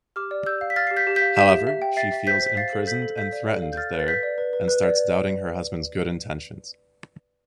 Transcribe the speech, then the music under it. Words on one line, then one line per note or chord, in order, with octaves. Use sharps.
However, she feels imprisoned and threatened there and starts doubting her husband's good intentions.
G4 D6 F6
D5
G4 E6 G6
F5
B6
F5 F6 A6
G4 C7
G6 B6
G4
G6 B6
F5
G4 G6 B6
E5
E5
G5
E5 A6 C7
E5
C5 G6 B6
C5 B6
F5 A6 C7
A4
A4 G6 B6
A4
F5 G6 B6
D5
A4
F5
G6
F5 F6 A6
B4
A6
B4 G6 B6
D5
B4
B4
B4
D5